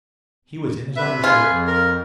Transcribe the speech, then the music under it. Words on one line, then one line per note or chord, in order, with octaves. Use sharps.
He was in his undershirt.
C3 B4 E5
F4 G#4
F2
A#4